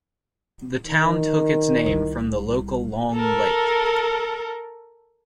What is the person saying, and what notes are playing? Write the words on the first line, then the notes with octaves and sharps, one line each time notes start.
The town took its name from the local Long Lake.
D#3
C2 G3
A4 A#4